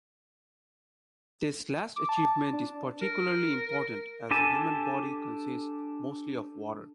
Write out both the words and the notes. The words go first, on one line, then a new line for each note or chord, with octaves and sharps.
This last achievement is particularly important as the human body consists mostly of water.
D6
A5
D4
A#4
D4 G4 A4 G#5 A5